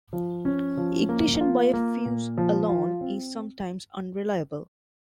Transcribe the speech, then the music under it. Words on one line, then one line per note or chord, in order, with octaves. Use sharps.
Ignition by a fuse alone is sometimes unreliable.
F3
C#4
F3
A#3
F4
A#3
A#2
F3
F4
C4